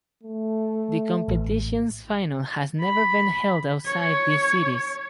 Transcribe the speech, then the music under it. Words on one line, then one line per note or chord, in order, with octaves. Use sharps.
The competition's final has never been held outside these cities.
A3
A1
B5
C#5